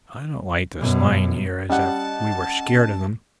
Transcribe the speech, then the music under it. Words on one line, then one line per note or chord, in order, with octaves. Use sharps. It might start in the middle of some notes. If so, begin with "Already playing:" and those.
"I don't like this lying here as if we were scared of them."
F#2 B2
G3 C#4 D#5 F#5 A5